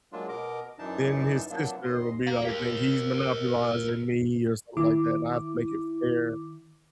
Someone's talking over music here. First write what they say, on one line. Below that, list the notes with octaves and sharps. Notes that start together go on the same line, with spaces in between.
then his sister will be like think he's monopolizing me, or something like that, and I have to make it fair,
F#3 G#3 A#3 D4 F4
B2 A#4 D#5 D6
F#2 E3 D4 D#4 A5
C3 F3 F#3 A#3 B3 D4
D#2 D#5 C6
F5 A#5
G4 A#4
D#3 E4 D6